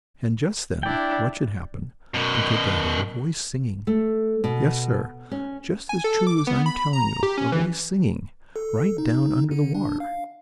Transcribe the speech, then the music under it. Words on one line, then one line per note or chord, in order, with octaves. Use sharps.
And just then, what should happen, but that they heard a voice singing. Yes, sir, just as true as I'm telling you, a voice singing, right down under the water.
D4 E4 D5 G5
F#2 B2
A3
B2
C#4
G#5
A4
D6
B3
B5
A#5
G4
C#4
E3
A4
D#4
D3
D4
F5